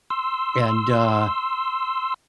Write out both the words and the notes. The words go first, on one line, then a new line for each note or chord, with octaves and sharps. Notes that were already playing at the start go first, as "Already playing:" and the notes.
And, uh,
C6 E6